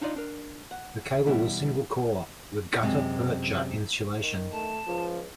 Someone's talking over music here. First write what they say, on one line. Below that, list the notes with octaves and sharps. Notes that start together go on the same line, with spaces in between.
The cable was single-core, with gutta-percha insulation.
D4 D#4 F4 D5 D#5
D4 A#4
F#5
E2 B2 G3 E4
F#2 C3 G#3
D#3
A3 A5
C#2 F3